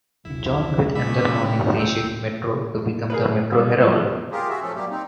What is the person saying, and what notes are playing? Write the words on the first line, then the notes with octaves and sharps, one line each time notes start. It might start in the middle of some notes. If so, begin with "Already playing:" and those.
It joined with another morning freesheet "Metro" to become the "Metro Herald".
D#1 B1 E4
C#3 G#3 B3 C#4 E5 B5 D6
D#3 G3 G5
D1 G5 E6
G#4 A#4 B4
A#3
C2
C2 F3
F4 G4 G#4 A#4
F#4 G#4 E5
F3 A3 C#4 A4
F#3 G3 A#3 G4
C4 D#4